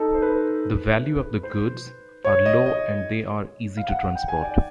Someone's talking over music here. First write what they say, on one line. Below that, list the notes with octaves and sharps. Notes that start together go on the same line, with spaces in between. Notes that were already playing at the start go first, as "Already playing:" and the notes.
The value of the goods are low and they are easy to transport.
Already playing: D#4 A4
C5
B4
C5
C#5
D#5
D#5
F5
F#5
G5
G#5
D5